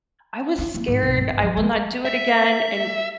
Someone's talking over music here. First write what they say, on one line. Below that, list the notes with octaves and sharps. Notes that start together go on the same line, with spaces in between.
I was scared; I will not do it again, and
C#4
A#3
G#2
B1
G2
G1
F3
G#3
E5